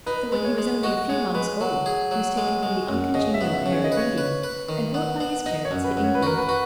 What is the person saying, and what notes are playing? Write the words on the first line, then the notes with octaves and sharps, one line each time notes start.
So when he was only a few months old, he was taken from the uncongenial air of India and brought by his parents to England.
D#4 B4
G#3
C#5
G#3
F#4 D#5
G#3 C#5
G#3 B4
F#3
G#4
F#3
G#3
G#3
F#2
C#3 D#5
E5
B3
E5
C#3
C#5
D#5
B4
C#5
B4
B4
D#3
B3
B3
D#4 D#5
C#5
F#2
B4
F#2
C#5
B4
F#4 A#4
B4
F#4